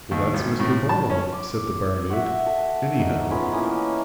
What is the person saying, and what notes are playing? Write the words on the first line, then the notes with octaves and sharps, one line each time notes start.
"Well, that's Mr. Beaumont," said the barmaid, "--anyhow."
D#2
G#1
A2
A5
C#4
D6
F#4 E5
A4
D#4
B3 C#4 F4 G#4
E3 A3 A#3 C#4